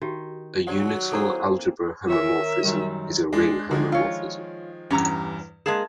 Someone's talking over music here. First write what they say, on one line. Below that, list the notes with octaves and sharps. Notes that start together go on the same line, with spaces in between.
A unital algebra homomorphism is a ring homomorphism.
D#3 F#4 G4
F#3 G4 D5 F#5
A#3 C4 E4 G#4 A4
D#3 A#4 C#5 E5
F#2 D#3 G3
G#3 D4
D3 D#3 F3 G#3
F4 C#5
E2 G2 C#4 G4 A#5
G#3 A#3 G#4 A5 G#6 E7